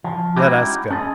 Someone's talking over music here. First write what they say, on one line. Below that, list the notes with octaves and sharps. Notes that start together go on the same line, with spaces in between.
"Let us go."
F3
G#3 C#4 D#4 E4 F#4 G4
C#4 G#4 A4 D#5